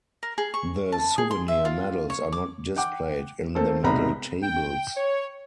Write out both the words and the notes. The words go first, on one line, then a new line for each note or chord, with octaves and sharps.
The souvenir medals are not displayed in the medal tables.
A#4
G#4
C#6
A5
G#4
C6
E5
F4
C#5
D6
F#5 G5 D6
A3 A#3 C4 A4
C2 G#2 B2 A#5 B5
G5
C#5